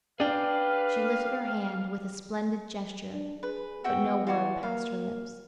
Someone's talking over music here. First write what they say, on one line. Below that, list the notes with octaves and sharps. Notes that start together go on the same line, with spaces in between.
She lifted her hand with a splendid gesture, but no word passed her lips.
D4 G#4 B4 F5 G5
D4
G#4 B4
B3 F#4 E5 G5
E3 F4 F#4 G#5
A#3 F5